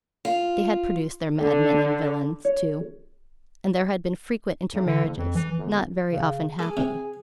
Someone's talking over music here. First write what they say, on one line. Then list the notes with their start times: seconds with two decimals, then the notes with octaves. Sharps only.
They had produced their madmen and villains, too; and there had been frequent intermarriages--not very often happy.
0.25 F4
1.39 D3
2.45 C#5
4.73 B1
4.86 D3
5.04 F#1
5.17 F2
5.35 E3
5.57 G1
6.11 C#3
6.59 G#4 A4 D6
6.77 C3 G5